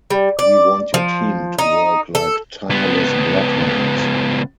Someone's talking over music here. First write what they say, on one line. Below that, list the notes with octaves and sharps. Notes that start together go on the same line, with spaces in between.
We want your team to work like tireless bloodhounds.
G3
D5
F3
D#4
A4
C#2 B3